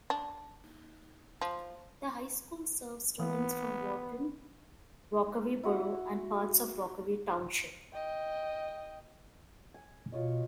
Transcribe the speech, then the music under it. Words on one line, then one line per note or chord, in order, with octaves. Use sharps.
The high school serves students from Wharton, Rockaway Borough and parts of Rockaway Township.
D4
F3
E3 B3
E4 F#4 F#5
D#5 G5
G#5
B2 F4 C#5 D#5